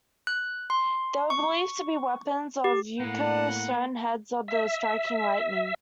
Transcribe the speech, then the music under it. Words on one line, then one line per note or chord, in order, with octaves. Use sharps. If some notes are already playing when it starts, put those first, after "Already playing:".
They were believed to be weapons of Ukko, stone heads of the striking lightning.
F#6
C6
C#6
G4
A2 A#3 B3 F#5
E5